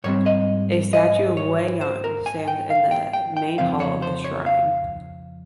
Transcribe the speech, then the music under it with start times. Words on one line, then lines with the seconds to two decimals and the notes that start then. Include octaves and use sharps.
A statue of Wei Yan stands in the main hall of the shrine.
0.04 G#2 G3 C4 C#5
0.26 D#5
0.93 D#5
1.37 C#5
1.81 C5
2.04 A#4
2.26 G#5
2.48 G5
2.70 F5
2.91 G5
3.13 G5
3.37 G5
3.58 F2 C#3 F3 C4 F5
3.80 C#5
4.02 C5
4.24 C#5
4.46 F5